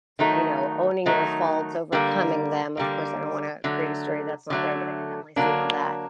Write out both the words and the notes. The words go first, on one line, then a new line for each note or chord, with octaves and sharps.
you know, owning your faults, overcoming them, of course, I don't wanna create a story that's not there, but I can definitely see how that
D#3 F#3 A3 D#4
D#3 F#3 A3 D#4
D3 G3 A#3
D3 G3 A#3
D3 F#3 A3
D3 F#3 A3
D3 F#3 A#3 D4